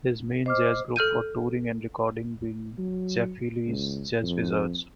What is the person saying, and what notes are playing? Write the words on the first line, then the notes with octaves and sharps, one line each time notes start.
His main jazz group for touring and recording being Jeff Healey's Jazz Wizards.
C5 D#5 D6 F6
A4 F6 G6 D#7
F#3
C#2
F2